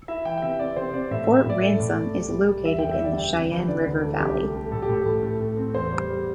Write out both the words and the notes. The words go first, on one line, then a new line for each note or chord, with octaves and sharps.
Fort Ransom is located in the Sheyenne River valley.
E4 E5
E3 G5
G5
C3 E5
C4 D5
C3 C5
C4 D5
A2 E5
E5
A2
E5
A2 D5
A3
A2
A3
C2
G3
G3
E2 E5
E2 G5
E5
G3 D5
D2 G5
C3
E3
D3 D5
D2
A3
C2 G4
A3
A3
A2 A4
G4
A2 A4
A2
A3
A3
C4
E2 C5
G3
G3